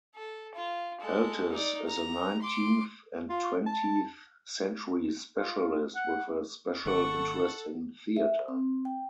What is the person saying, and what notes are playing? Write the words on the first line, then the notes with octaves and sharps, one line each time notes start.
Eltis is a nineteenth and twentieth century specialist, with a special interest in theatre.
A4
F4
G#3 A4
D#4 D5
A#5
C6 D6
F4
A5
F4
F#5
G#1 D#3 A#3 A4 F#5 C#6
E5
C4
G5